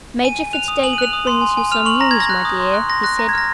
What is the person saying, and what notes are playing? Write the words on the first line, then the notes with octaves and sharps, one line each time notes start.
"Major Fitz-David brings you some news, my dear," he said.
G#5 D#7
G#5
F#6 F7
D#6
G#5 F#7
D#7
F#6 F7
D#6
C6
G#5
G#5
F6 F7
C#6 F#7
A#5 A#6
G#6
A#5 A#6
F#6
D#6
C6
F#6
C6 A#6
F#6 A#6
A#5 A#6
G#6
F6 A#6